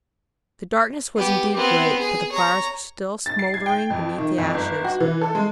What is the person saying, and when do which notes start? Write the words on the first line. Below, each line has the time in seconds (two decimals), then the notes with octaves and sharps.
The darkness was indeed great, but the fires were still smouldering beneath the ashes.
1.16 B3 G4
1.55 B3 C4
1.99 G#4
2.32 C#5 A#5
3.26 A6
3.39 C7
3.54 G#6
3.66 G5
3.90 F2
4.18 D#3
4.38 F2
4.54 G1
4.84 F#4
5.00 E3
5.21 A4
5.35 G#3